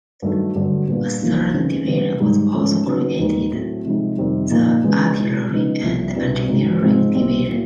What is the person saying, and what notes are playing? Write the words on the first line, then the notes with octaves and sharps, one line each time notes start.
A third division was also created: the artillery and engineering division.
G2 D#3 F#3 A3
G2 D3 F#3 A3
A#2 G3 B3 D4 F4
C2 C3 F3 A#3 D#4
C#3 E3 A3 C4 D#4
C3 E3 G3 B3
G#2 D#3 G3
G#2 F3 A3 C#4
C#3 F#3 B3 D#4
D#2 D#3 G#3 B3 D#4
A2 F#3 A3 C4
C3 F3 G#3 C4 D#4
F2 C3 D#3 G3 C4
A#2 F3 A#3 D#4
C#3 E3 G#3 B3 D4
B2 G#3 B3 E4
C#3 F3 G#3 B3 D#4
C2 C3 F3 A3
C2 B2 G3 B3 D4
G#2 D#3 F#3
G#2 F3 G#3 C4 D#4
C2 C3 D#3 G3 C4
A2 F#3 A#3